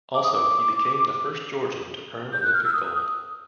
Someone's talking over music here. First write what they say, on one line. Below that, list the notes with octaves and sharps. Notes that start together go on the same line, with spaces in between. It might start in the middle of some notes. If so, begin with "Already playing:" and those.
Also, he became the first Georgian to earn Olympic Gold.
D6
D#6
D6
G6
F#6
F6
E6
D#6
D#6